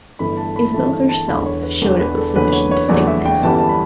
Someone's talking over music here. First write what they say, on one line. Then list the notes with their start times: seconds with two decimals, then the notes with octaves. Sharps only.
Isabel herself showed it with sufficient distinctness.
0.19 G1 G2 E3 A3 B5
0.37 A5
0.56 B5
0.74 G1 G2 E3 A3 A5
1.09 A5
1.27 E1 E2 D3 B5
1.46 C#5
1.63 B4
1.81 E1 E2 D3 A4
1.99 B4
2.18 A4
2.36 F#1 E2 D3 F#3 B3 B4
2.52 C#5
2.71 C#5
2.88 F#1 E2 D3 F#3 B3 D5
3.07 E5
3.25 G5
3.43 G1 F#2 E3 G3 B3 A5
3.58 A5
3.69 B5